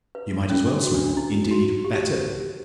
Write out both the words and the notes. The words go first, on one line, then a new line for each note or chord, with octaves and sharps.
You might as well smoke- -indeed, better.
B4
C#4
D4
F#4
D4
D4
E4
F#4
G4